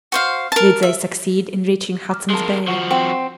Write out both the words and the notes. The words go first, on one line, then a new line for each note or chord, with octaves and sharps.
Did they succeed in reaching Hudson's Bay?
F#4 C5 F5
A#4 A5
E5
D6 F6
G#3 A#4 A5 C6
F3 F#4
C4 F#5 G5 C#6